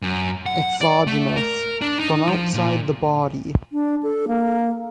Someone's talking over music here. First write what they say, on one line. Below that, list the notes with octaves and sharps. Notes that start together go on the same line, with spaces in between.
Exogenous: from outside the body.
F#2
F#5
D5
A3
A#4
D4
D#4
F3
A#2
D4
A4
A#3